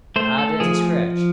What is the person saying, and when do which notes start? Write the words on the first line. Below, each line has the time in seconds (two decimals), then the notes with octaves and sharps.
But I dasn't scratch.
0.16 A3 C5
0.38 A4
0.60 F3 G#4